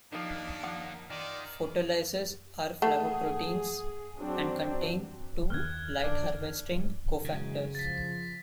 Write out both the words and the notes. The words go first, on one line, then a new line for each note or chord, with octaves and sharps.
Photolyases are flavoproteins and contain two light-harvesting cofactors.
D#3 F3 A#3 D4 D#4
F3 F5 F#5
D#3 F4 D5
A3 G#4 F#5
F#3 C4 D4
D#2 D#3 F6 F#6 G#6
F1 D3 D4
C#3 E3 F#3 G#3
F3 A6 B6